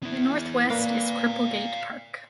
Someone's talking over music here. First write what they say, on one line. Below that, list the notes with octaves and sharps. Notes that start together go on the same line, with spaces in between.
To the northwest is Cripplegate Park.
B3 E4
A#3 A#4 B4 D5 F5